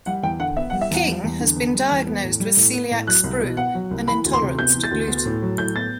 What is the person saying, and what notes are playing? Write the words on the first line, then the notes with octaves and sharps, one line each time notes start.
King has been diagnosed with celiac sprue, an intolerance to gluten.
G3 F#5
E2 G5
D3 F#5
B3 E5
F#5
G3
E5
E2 F#5
G3
E2
D3
B3
G3
E2
B3
A2
G3
A2
B3
A2
F#3 F#6
C2
B2
B3 F#5
F#3
C2
E3 B5
D2
C6
C3
B3 G6
E3
A6
D2
B3
A2
F#3
A2 G6
B3 A6